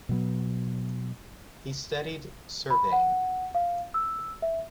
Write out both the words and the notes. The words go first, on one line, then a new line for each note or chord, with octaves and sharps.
He studied surveying.
B2 F#3 B3
B5
F#5
F5
E6
E5